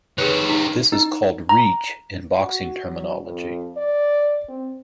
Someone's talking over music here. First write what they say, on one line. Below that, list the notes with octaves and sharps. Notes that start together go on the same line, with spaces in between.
This is called reach in boxing terminology.
D#3 G#4 B4 C#5
D#4
D#4
A#5
F#4
F#3
F2
D5
C4